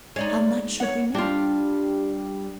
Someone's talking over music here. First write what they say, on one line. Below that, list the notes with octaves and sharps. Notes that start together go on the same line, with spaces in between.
"How much should we make?"
G#3 D#4 C#5 D5
C#5 F#5
G3 D4 F4 G4